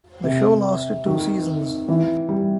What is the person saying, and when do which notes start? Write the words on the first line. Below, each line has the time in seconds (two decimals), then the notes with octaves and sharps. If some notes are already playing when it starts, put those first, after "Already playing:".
The show lasted two seasons.
0.24 C3
1.06 D#3
1.88 E3
2.29 G3